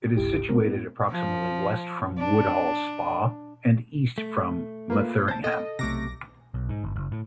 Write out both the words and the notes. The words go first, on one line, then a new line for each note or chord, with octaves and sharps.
It is situated approximately west from Woodhall Spa and east from Metheringham.
G1 C#2 G#2 E4 G4 D7
G#3 C4 A#4
A2 B3 E4
F3
D4
A3
A#3 F4 B4
C5 A5
A4 D#5
B1 C3 A3 D6 A#6
B1
G#2
G1
F#1
A2